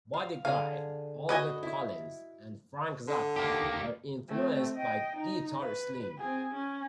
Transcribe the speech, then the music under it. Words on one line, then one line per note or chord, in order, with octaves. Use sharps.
Buddy Guy, Albert Collins and Frank Zappa were influenced by Guitar Slim.
F5
D3 G#4 F5
F#4 B4 D#5 G#5
E4
D3
A#3 G4
A3 C4
D#5 G5
D#4
B4
C4 G#4
C#4